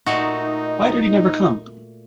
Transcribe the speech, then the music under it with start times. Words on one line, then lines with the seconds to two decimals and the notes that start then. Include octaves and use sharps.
Why did he never come?
0.06 A#2 A3 D#4 F#4